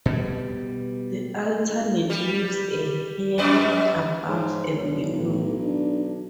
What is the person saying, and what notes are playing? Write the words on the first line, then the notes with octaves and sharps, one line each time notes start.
The alternate leaves are hairy above and below.
B2 G3
G3
F2 B3 D5
G#2 C#5
B1 D4
A2
D4